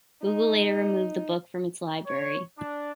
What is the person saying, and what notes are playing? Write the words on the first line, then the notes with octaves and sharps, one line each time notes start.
Google later removed the book from its library.
D#4
C#5
D4